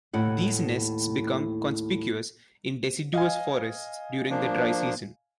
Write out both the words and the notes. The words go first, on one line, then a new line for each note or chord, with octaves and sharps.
These nests become conspicuous in deciduous forests during the dry season.
D#2 A2 F#5
D#5 F5 G#5
F3 A#3 D4